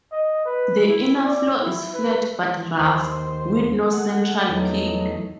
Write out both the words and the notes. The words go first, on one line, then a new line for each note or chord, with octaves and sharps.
The inner floor is flat but rough, with no central peak.
D#5
B4
E4
D5
E4
B4
D#2 C5
G#3 A3 F#5
E2 F#3 A3 D#4